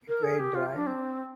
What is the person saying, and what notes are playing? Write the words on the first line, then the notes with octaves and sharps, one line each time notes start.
It weighed dry.
A#4
G#4
G4
F4
D4
C4